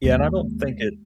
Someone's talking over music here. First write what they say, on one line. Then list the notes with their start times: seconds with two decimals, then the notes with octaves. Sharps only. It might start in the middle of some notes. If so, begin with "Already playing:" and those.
Yeah, and I don't think it
0.04 D#2 G#3